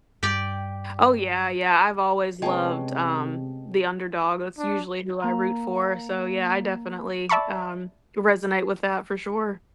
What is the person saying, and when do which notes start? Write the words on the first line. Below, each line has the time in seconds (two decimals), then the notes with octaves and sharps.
Oh, yeah, yeah, I've always loved, um, the underdog. That's usually who I root for, so, yeah, I definitely, um, resonate with that for sure.
0.23 G2 G4 D5 G5
2.42 C3 G#3 B3 C#4 D#5 G5 A5
4.59 D4
5.22 A#3 A#5
7.29 D5 E5 A5 B5 C#6